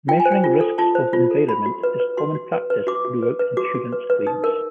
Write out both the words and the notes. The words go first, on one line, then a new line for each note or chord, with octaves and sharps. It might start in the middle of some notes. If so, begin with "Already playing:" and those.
Measuring risks of the environment is common practice throughout insurance claims.
F4 G5
G#5
C5
G5
F4
A4
F4 A5
C5
F4
A4
F#4 B5
F#4
B4
B4
F#4 C6
F#4
B4
B4
F#4 D6
F#4
B4
B4
F#4 D6
F#4
B4
B4
D#4 D#6
A#4